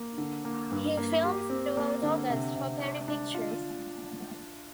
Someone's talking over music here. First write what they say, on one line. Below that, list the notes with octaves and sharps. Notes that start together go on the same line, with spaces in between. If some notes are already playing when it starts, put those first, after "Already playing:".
He films throughout August for Perry Pictures.
Already playing: A#3
D3
A#3
G2
A#3
G4
C4
A#3
D3
C3
C3
D4
D4
F4